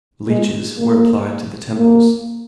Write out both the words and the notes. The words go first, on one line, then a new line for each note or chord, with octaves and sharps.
Leeches were applied to the temples.
G#3
A#3
A#3